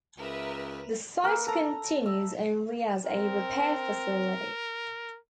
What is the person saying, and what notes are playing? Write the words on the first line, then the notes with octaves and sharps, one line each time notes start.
The site continues only as a repair facility.
C#2 A#4 B4 E5
A#3 A#4 B4 E6
A4 A#5
E5
C4 A#4